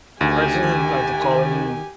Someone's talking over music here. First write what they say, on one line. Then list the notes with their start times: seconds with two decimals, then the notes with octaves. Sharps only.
cartoons is like the Call of Duty
0.21 D2 D#3 G4 G#5